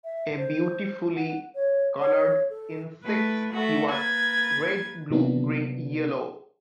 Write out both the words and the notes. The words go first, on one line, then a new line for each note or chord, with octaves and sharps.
A beautifully coloured insect he was-red, blue, green, yellow.
E5
C5
F#5
C#5
C#5
A4
A3 E4 B4
A3 F#4 A4 E5
A#3 B4 G#6 A6
C3 F#3 A#3 B3 D4